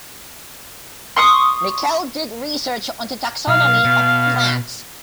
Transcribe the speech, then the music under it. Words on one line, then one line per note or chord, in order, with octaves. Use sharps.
Miquel did research on the taxonomy of plants.
C6 C#6 D#6
B1 F5
B2